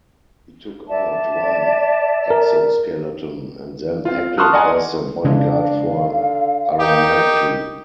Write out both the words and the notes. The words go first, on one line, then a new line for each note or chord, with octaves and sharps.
He took out one exoskeleton and then acted as the bodyguard for Aramaki.
D5 E5 A5
A#4
C4 F4
A5 C6 C#6 D#6 F6 F#6
D5 D#5 F#5 G#5 A#5 C6
C#3 E3 G#3 D4 F5
D3
D#4 G4 A#4